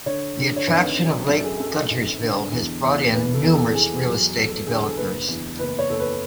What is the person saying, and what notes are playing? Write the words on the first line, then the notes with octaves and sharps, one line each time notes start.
The attraction of Lake Guntersville has brought in numerous real estate developers.
D3 C#5
D3
C#5
G#1 B4
F#3
F#2 A4
G#4
F#2 A4
G#1
D3
E2
E2
E2 B4
A4
E2
A4
E2 G#4
F#3
F#3 A4
A4
D3 G#4
A4
F#1 B4
E2
F#1 B4
C#5
F#1 A4
B4